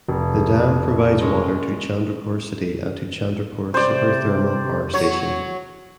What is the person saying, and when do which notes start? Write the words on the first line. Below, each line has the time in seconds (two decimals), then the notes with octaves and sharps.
The dam provides water to Chandrapur city and to Chandrapur Super Thermal Power Station.
0.08 F1
1.21 G#3 A#3 C#4
3.74 C3 C5 D5
4.93 F#3 C#5